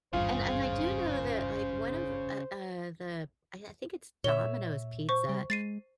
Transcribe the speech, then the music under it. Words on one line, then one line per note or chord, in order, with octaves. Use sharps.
And and I do know that, like, one of uh, uh, the I I think it's Domino's pizza,
G#1 E2 G2 C#3 F4 G#4 C5
A#2 C#5 E5 G7
C5 C#6
G3
G#3 A6 C7 D#7